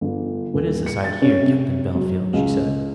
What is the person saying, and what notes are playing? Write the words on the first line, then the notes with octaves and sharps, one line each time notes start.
"What is this I hear, Captain Bellfield?" she said.
G1
D#1
C#7
A6
C#4
C3
F#3
C#2